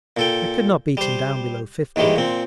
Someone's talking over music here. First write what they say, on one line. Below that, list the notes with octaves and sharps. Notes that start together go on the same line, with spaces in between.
We could not beat him down below fifty....
A#2 A4 G5
G3 C5
D#2 D#3 E3 G3 G#3
A#2 C4